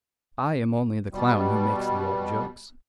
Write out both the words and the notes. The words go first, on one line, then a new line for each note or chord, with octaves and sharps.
"I am only the clown who makes the old jokes."
B2 G3